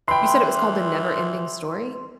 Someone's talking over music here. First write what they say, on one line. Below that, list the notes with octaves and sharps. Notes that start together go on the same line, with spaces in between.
You said it was called The NeverEnding Story?
E3 G5 B5 C6